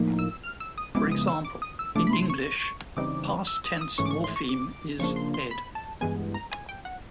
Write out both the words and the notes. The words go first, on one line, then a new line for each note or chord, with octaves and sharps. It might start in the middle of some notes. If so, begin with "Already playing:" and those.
For example, in English, a past tense morpheme is "-ed".
Already playing: A2 F3 A#3 D#4
E6
F6
E6
D#6
C#3 F3 G#3 B3 E4 D6
D#6
E6
D6
D#6
E6
C3 F3 A3 D4 D6
B5
C6
C#6
C#3 E3 G3 C4 D#4 D6
E6
D#6
E6
D#6
G#2 E3 A3 C#4 C#6
D6
C#6
C6
C#6
D6
C#3 F3 A#3 D4 C#6
C6
C6
B5
A5
G2 E3 G#3 B3 G#5
A#5
G#5
G5
F#5